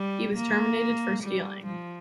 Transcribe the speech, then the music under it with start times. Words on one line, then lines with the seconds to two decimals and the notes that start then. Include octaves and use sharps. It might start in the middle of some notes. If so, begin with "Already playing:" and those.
He was terminated for stealing.
Already playing: G3
0.36 A#3
1.23 G3
1.66 F3